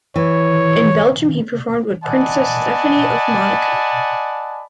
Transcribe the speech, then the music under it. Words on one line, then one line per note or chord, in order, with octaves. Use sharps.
In Belgium, he performed with Princess Stephanie of Monaco.
E3 C#5
D5 D#5 F#5 G#5 A5 B5